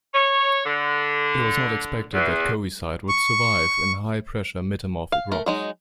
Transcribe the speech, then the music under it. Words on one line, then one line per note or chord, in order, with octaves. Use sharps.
It was not expected that coesite would survive in high pressure metamorphic rocks.
C#5
D3
E2
C#6
F5
A3 A#4
F#3 G#3 D#4